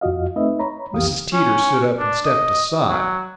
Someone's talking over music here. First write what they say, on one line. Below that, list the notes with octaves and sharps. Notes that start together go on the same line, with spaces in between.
Mrs. Teeter stood up and stepped aside.
F2 F4 F#4 D#5 F5
A3 C4 D#4 B4 D#5 E5
C#5 A#5 B5
C2 F2 E3 G4 F5 D#6
C#4
D4
D#5
F#3